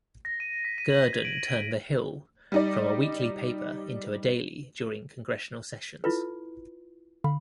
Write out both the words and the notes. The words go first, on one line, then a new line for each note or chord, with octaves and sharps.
Gurdon turned "The Hill" from a weekly paper into a daily during congressional sessions.
A#6
D#7
B6
D#7
F#7
G#6
D7
F#7
G3 D#4 D5
E4 F4 A4 B4
D3 F5 B5